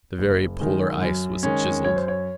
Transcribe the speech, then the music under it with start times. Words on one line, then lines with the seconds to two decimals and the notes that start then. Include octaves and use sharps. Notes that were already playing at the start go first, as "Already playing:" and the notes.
The very Polar ice was chiseled.
0.18 F#1
0.60 F#2 D#3 G#3
1.02 F#2
1.43 D#3 G#3 C#4
1.84 F#2 C#5
1.96 C5
2.08 C#5